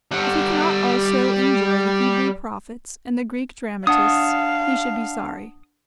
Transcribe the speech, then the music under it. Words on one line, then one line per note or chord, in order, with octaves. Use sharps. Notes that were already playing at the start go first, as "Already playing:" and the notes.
If he cannot also enjoy the Hebrew prophets and the Greek dramatists, he should be sorry.
G3 F#5
D4 F5 F#5 A5 D#6